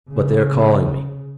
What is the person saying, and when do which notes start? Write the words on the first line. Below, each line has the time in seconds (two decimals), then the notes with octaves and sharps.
But they are calling me.
0.11 C#3